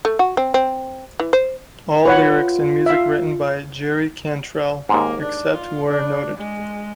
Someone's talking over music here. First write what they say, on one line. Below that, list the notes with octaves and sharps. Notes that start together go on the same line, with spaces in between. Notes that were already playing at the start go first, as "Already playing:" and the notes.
All lyrics and music written by Jerry Cantrell, except where noted.
A3
F#4
C4
C4
E3
C5
F4 B4 C#5 F#5
E5 F5
D#2 G#2 A#3
D4
F4
D4
G#3